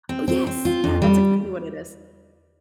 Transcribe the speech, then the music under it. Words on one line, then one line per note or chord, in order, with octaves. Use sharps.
Oh, yes! Yeah, that's exactly what it is.
C4
C4
C4
F4
F2
G3